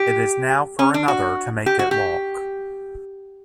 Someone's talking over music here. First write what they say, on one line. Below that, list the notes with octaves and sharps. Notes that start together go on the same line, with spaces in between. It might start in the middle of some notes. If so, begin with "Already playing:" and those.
It is now for another to make it walk.
Already playing: G4
C#4
D4
F#4
G4
F#4
G4